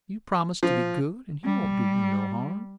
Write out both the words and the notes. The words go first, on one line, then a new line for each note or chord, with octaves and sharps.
You promise to be good and he won't do you no harm.
F3
G3